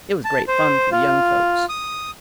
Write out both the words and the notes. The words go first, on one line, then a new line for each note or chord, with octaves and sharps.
It was great fun for the young folks.
A5
C5
F4
D#6